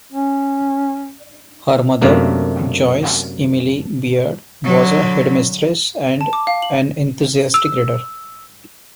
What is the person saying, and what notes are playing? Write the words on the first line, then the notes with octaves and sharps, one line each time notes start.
Her mother, Joyce Emily Beard, was a headmistress and an enthusiastic reader.
C#4
F#2 C3 A3 A#3 D4
D3 F#3
A5
D6
F5
F#7
E6